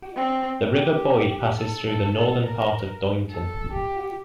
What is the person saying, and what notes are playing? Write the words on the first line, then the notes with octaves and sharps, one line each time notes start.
The River Boyd passes through the northern part of Doynton.
C4
G4
A4
A4
A4
A#4
A4
G4